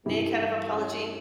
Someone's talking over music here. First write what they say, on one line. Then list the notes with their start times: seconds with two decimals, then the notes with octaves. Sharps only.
in any kind of apology?
0.06 G2 E4 G4
0.39 E3
0.71 C#4